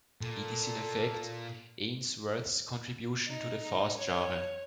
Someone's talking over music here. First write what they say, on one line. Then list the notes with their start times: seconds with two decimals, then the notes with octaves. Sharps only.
It is in effect Ainsworth's contribution to the Faust genre.
0.21 A#2 A4
3.27 D#4
3.97 C#5